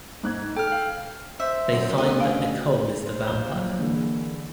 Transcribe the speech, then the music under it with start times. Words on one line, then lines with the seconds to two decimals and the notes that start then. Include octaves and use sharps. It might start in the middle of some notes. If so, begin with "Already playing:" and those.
They find that Nicolle is the vampire.
0.23 G#2 F#6 G#6
0.56 A4 G5 F6
0.72 F5
1.40 C5 E5
1.71 F#2
1.98 D2 B3 D#5 G5
2.20 C#4 F5
3.05 C5
3.27 A#1 G7
3.54 F#3
3.79 D3 E3 G#3 A#3